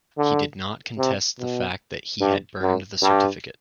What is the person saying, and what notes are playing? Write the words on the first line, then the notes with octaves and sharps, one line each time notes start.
He did not contest the fact that he had burned the certificate.
D3
C3
B2
G2
F#2
G2